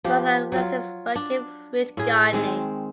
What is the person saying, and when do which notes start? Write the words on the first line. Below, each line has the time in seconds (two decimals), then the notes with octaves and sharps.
Most of residents work in fruit gardening.
0.04 F3 G4
0.52 F#3 F4
1.15 D4
1.97 A2 G#4
2.33 D#3 G#3 C4